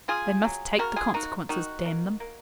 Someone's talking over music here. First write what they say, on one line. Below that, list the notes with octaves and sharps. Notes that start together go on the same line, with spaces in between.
They must take the consequences, d--n them!'
C#3 F4 G#4
F#3
C#3 F#4 A#4
F4 G#4
A#3 D#4 F#4
D#3 D#4 F#4
A#3
A#3